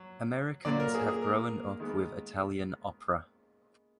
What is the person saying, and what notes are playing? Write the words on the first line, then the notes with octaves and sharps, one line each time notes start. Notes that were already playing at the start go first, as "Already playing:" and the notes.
Americans have grown up with Italian opera.
Already playing: F#3
A#2 F#3 A#3 D5
A#4
G#4
G#4
A#4
D#3 G#3 B3